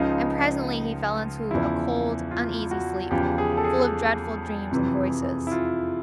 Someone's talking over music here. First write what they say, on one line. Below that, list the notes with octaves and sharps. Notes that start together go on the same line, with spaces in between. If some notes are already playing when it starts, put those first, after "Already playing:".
And presently he fell into a cold, uneasy sleep, full of dreadful dreams and voices.
Already playing: C#2 C#3 F3 D#4
E2 C#3 F3 E4
F4
F#4
E2 C#3 F3 G4
G#4
A4
G#4
F2 C3 E3
E4
F4